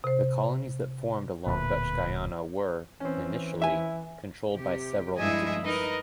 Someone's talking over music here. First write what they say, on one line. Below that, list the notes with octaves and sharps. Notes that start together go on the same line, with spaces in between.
The colonies that formed along Dutch Guiana were, initially, controlled by several entities.
C3 C5
D1 D2 A#2 B4
E3 C4 C#4
E4 E5 G#5
C3 G4
G2 F3 G#3 E4 D#5 E5 G#5
D#4 A#4 B4 D#5